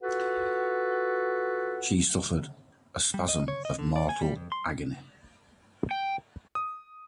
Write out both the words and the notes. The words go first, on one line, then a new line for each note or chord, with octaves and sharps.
She suffered a spasm of mortal agony.
F4 F#4 A4 B4 F#5
G3
D#5
C#5
D#5
D3
D5
G#5
G3
F2
C6
G5
D#6